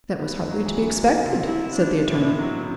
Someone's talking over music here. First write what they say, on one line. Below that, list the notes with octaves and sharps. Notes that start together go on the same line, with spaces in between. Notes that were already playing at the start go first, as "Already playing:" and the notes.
"That was hardly to be expected," said the attorney.
B3
F#3
E3
D3
B2
C3
E4
D4
A2 D4
B2
A2
F#3 E4